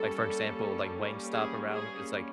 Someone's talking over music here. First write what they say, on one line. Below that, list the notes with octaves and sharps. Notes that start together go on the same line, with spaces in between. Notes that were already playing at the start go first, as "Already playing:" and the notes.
like for example, like Wingstop, around w it's like
Already playing: G3 A#3 C#4 A4
G#4
G#4